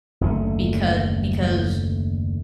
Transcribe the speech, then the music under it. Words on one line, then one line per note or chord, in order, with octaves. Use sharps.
becau because
F#1 D#2 D3 A3